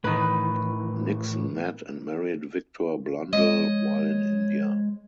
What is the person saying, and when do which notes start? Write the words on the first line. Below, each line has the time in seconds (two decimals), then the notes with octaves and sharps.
Nixon met and married Victor Blundell while in India.
0.04 A2 D#3 E3 B4
3.33 F3 G#3 C#5 D#5